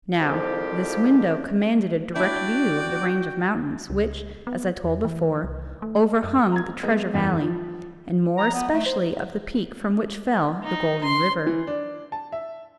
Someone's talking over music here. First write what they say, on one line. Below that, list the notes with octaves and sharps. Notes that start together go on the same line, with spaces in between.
Now this window commanded a direct view of the range of mountains, which, as I told before, overhung the Treasure Valley, and more especially of the peak from which fell the Golden River.
C2 F2 G#2 F3 G4
D4 E4 F#4 D5 G5
C#2
B3
E2
E3
C2
A3
F#2
A#5 G#6
G#3 B3
F#1 E2 E3
F3
A#5
B3
A3
C5
D#4
C6
E3
D4
A5
E5